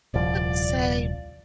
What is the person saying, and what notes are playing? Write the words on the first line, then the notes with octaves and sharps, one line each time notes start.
I would say,
D#1 C2 F3 D5